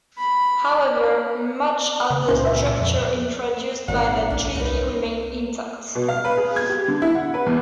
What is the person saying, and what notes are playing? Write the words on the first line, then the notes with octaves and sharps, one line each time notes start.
However, much of the structure introduced by that treaty remained intact.
B5
C#3
C#2 A#2 C#4 C5
E5
F2
G#1 A#2 D#3 F#5
A#1 C#4 D4
C2 D#4 A#4 B4
B2
F5
B4
G#4
G#6
G4
D3
E4
F#5
B4
E2